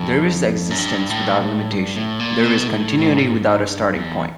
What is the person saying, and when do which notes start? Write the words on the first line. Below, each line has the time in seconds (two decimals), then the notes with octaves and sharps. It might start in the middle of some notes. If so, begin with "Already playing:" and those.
There is existence without limitation; there is continuity without a starting-point.
Already playing: F2
0.71 F#2
0.78 G2
1.10 A2
1.41 A2
1.72 G2
1.96 A2
2.19 A#2
2.43 B2
2.68 A2
2.99 A2
3.08 G#2
3.18 A2
3.30 G#2
3.62 G2
3.94 E2